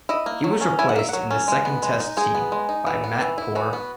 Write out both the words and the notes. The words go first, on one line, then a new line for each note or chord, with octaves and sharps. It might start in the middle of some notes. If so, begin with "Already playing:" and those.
He was replaced in the Second Test team by Matt Poore.
E4 D#5
A#3
F#3
C#4
E4 G#5
F#5
A#3 E5
F#3 F#5
C#4
G#3
B3
G#3
D#4
G#3 G#4
B3
G#3
D#4
E3
B3
E3
E4
E3 F#4
B3